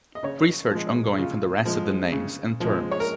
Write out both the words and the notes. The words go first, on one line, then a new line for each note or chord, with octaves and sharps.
Research ongoing for the rest of the names and terms.
D#5
C#3 C#5
F3 G#3
C#3 F4
F3 G#3
C#3
F3 G#3
C#5
A#4